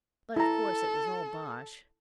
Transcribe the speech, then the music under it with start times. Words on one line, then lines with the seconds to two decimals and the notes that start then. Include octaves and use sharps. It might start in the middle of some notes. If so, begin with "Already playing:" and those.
But of course it was all bosh.
0.36 E4 A4 A#5